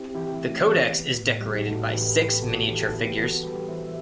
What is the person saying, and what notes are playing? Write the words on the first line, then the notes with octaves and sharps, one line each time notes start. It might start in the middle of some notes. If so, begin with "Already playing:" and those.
The codex is decorated by six miniature figures.
Already playing: C4 E4 G4
E3 E4 G4
A3
E3
B3
A2
G3 E4 G4
D#4 F#4
A2 F#4 A4
E3 G4 B4
A4
B3 G4 B4
B3 F#4 A4
E3 E4 G4
A4
B3 G4 B4
E3 F#4 A4
G3 G4 B4
E3 C5 E5
E5